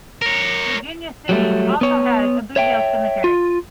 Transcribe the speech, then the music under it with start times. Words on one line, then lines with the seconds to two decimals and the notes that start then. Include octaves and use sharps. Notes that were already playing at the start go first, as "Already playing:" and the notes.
Virginia City also has a Boothill Cemetery.
0.22 A#4 C#5
1.29 F#3 G3 A3
1.81 B3 C#5
2.56 C#5 E5 G5
3.24 F4